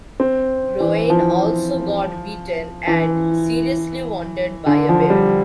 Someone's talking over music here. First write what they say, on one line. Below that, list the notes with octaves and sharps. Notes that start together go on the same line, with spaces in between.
Groanin also got beaten, and seriously wounded, by a bear.
C4
E3
F3
E3
D3
F3
G3